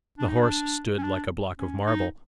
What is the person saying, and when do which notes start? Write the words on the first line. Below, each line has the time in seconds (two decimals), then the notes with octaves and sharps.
The horse stood like a block of marble.
0.18 D4
0.29 D#4
0.40 D4
0.98 C#4
1.03 D4
1.59 C#4
1.86 D#4